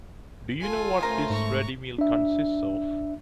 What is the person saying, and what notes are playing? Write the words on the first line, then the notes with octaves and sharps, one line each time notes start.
Do you know what this ready meal consists of?
F4 A4 G#5
C#3 A3 A#4 C5
G#2 A#5 C#6
D4 E5